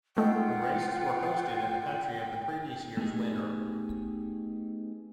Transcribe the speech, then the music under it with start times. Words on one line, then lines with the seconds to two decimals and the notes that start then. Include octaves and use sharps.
The races were hosted in the country of the previous year's winner.
0.17 G#3 A3 D#4 F4 F#5 G5
2.97 A3 B3 D#4 G4 G#4